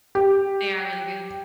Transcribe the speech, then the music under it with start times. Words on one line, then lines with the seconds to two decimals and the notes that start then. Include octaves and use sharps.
They are really good.
0.15 G4